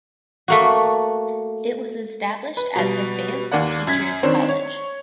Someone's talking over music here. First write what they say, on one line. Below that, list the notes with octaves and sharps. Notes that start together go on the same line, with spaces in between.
It was established as Advanced Teachers’ College.
A3 A#3 F#4
B4
B2 G3
D#2 A#3 D5 F#5
F#2 G#6 B6
D#3 C4 D4 C5 C#5
C#5